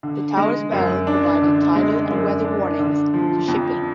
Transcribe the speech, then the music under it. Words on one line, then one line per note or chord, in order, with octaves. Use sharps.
The tower's bell provided tidal and weather warnings to shipping.
D3
G#3
F#2
D4
D3
G#3
F#2
D4
D3
F3
F2